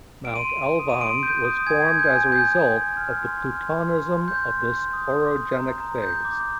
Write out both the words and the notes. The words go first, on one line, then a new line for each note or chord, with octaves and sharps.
Mount Alvand was formed as a result of the plutonism of this orogenic phase.
D7
C6 D#7
C6
D#6
D#7
C6 D7
G6
D#6
G#5 G#6
G6
G6
G#5
G#5 G6
G6
G#5
F6
C6
F6
C6
C6
C6
C6 G6
C6
C6
D#6
C6
C6
A#5
A#5
G6
D6